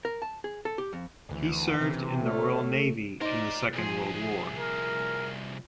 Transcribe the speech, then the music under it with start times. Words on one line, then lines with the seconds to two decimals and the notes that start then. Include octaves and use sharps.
He served in the Royal Navy in the Second World War.
0.05 A#4
0.22 A5
0.44 G#4
0.65 A4
0.78 G4
0.93 F2
1.31 D2 E3
1.81 C3
2.26 D3 A3 C#5 F6
3.21 D#4 A#4 C5 D5
3.73 C2 A#2 F3 G#4
4.56 A#4